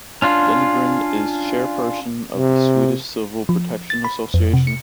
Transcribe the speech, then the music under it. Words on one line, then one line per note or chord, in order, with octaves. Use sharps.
Lindgren is chairperson of the Swedish Civil Protection Association.
C#4 D4 F4
C3
F3
A6
B5
F2
C3
C#7